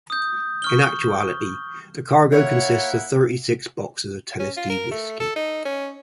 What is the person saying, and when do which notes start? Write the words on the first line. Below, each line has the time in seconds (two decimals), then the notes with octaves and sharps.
In actuality, the cargo consists of thirty-six bottles of Tennessee whisky.
0.10 D#6 G6
0.62 C#6 F6 G7
2.32 A#3 E4 C#5 F#5
4.40 C#4
4.57 F4
4.70 A#4
4.91 A3
5.20 A4
5.36 D#4
5.65 C#4